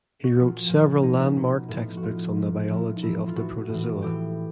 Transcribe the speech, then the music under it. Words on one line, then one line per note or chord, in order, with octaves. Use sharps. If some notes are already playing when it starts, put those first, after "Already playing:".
He wrote several landmark textbooks on the biology of the protozoa.
F#4
A#2 F3 F4
A#2 F3
B2 D#4
D#4
B2
A2 F3
F#4
A2 F3 F4
A#2 F3
A#2 F3 E4
D#4
A2 E3 E4
F4
A2 E3 F#4
A2 E3
A2 E3 G4